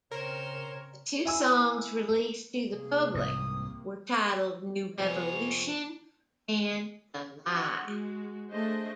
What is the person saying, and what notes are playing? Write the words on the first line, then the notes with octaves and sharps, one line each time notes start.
The two songs released to the public were titled "New Revolution" and "The Lie".
C#3 C4 A#4 C5 C#5
E4 G#5 E6
C3 A#3 G#4
C2 G#2 D#6
F2 C3 F3 A#3 B3 G#4 C#5
D4 F#4 F#5
G#3 F#4
A3 D4 G#4 C5 D#5